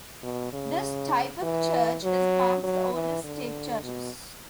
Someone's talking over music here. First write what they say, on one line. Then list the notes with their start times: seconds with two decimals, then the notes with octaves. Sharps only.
This type of church is amongst the oldest Stave Churches.
0.23 B2
0.53 C#3
1.43 E3
2.04 F#3
2.64 F#3
2.93 E3
3.24 D3
3.83 B2